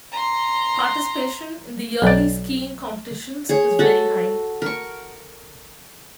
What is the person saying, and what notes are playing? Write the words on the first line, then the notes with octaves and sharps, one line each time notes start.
Participation in the yearly skiing competitions is very high.
A#5 C6
B1 D5
G#4 C#5
F#4 A4
A#4 C#6